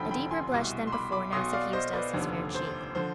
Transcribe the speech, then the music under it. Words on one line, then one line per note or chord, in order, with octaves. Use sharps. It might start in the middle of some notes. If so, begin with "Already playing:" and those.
A deeper blush than before now suffused Elsie's fair cheek.
Already playing: F1 D#2 D3 F3 G5 B5
G5 B5
G#5 C6
C2 B2
C6
B5 D6
B5 D6
B1 B2 C6 D#6
D5 F5
C5 D#5
B4 D5
F1 D#2 D3 F3
C5
D3 F3 C5